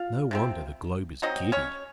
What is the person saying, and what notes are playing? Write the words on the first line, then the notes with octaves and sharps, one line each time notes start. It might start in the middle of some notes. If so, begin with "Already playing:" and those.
No wonder the globe is giddy!
Already playing: F4 F5
C3 F3 G#3 C4
F#3 C4 D#4 D#5
C#4 C#5